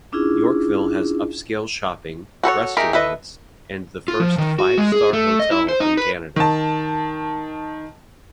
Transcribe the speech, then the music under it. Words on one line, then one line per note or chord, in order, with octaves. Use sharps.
Yorkville has upscale shopping, restaurants, and the first five star hotel in Canada.
C#4 D4 E4 F4 G#4
F#4 A4 B4 C#5
A3 D#4 G4 G#4 A#4
E4 A4 B4 D#5
F4
F3
D#3
F#4
G#3
G#4
A3
D#5
E4
C5
D#4
B4
D#3 A5